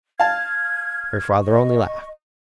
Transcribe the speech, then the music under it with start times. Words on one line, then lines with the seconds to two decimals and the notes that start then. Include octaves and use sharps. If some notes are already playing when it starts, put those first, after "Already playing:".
Her father only laughed.
0.20 F5 A5 F6 G#6
1.41 D#5 C#6